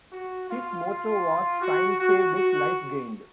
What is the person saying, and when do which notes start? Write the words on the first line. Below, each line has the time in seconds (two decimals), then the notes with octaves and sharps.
His motto was "time saved is life gained".
0.12 F#4
0.48 F4
0.86 F4
1.60 F#4
1.98 F#4
2.35 F#4